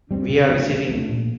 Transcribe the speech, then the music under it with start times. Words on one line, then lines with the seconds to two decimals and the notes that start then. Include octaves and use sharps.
We are receiving.
0.11 G3 C4
0.30 C3
0.49 F3 A3 D4
0.70 C3
0.89 F3 A3 D4
1.09 A#2